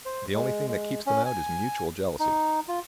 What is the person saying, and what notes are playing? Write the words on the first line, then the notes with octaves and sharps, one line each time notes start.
The only thing that keeps them out is mutual jealousy.
C5
G#3
G#3
C#4
G#5
D#4
F4